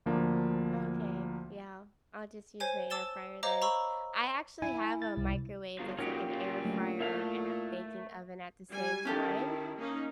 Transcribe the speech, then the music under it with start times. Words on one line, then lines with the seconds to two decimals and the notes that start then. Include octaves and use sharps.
Okay, yeah, I'll just use my air fryer then. I actually have a microwave that's like an air fryer and a baking oven at the same time.
0.06 D2 F3 A#3 D4
2.60 C5 C#5 G#5 D#7
2.90 A5 D6 E6 A6 E7 G7
3.43 C5 C#5 D#5 F5 A#5 D6
3.62 A#5 B5 C#6 E6
4.62 E4 G#5
5.02 A6
5.17 C2
5.79 G1 F3 F#3 C7
5.99 A#2 F3 C#4 D#4 F#4 G4
6.30 C#3 F4
6.65 F#3 A3 D4
7.01 A3 E4 A#4 F5 A5
8.69 G3 G#5
9.05 D#3 C#4 E4 G4 A4
9.78 A#3 C#4 D#4